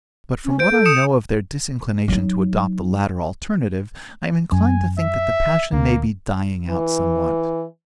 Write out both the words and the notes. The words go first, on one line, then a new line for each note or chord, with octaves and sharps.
But from what I know of their disinclination to adopt the latter alternative, I am inclined to think that the passion may be dying out somewhat.
C#4
C5 G6 D7
A4
D#6 C#7 E7
F#3 D#4
F#2 G#5
E5
D2 A#3
E3